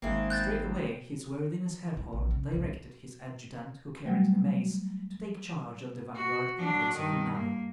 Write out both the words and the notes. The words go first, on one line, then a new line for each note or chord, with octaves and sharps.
Straightway his worthiness Herhor directed his adjutant who carried the mace to take charge of the vanguard in place of Eunana.
G#1 D#3 G#3 A#3 C4 E4
F#6 G6 A6
E4
A#1
C#3
C2 G#2
F#3 G3 A3
F#4
F#3 D4
G2 D#3
A#3